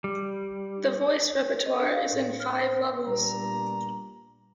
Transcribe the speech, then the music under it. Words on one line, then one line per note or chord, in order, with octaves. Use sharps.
The voice repertoire is in five Levels.
G3
D#5
D4
F5
A2
F6
C5
A#2 G3 B3 D4 A#5